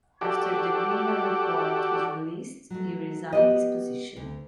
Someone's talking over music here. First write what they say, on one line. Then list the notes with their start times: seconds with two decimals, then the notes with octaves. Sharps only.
After the Grenier report was released, he resigned his position.
0.21 F#4 G4 A4 D5
2.70 F#3 A3
3.33 B3 G4 D#5
4.17 D2